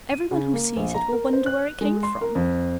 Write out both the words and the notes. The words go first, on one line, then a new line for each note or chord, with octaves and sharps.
"Every one who sees it will wonder where it came from."
D#7
C#3
A#3
A#1
A#5
A#4
C5
F#6
G#3
C6
A#4
F2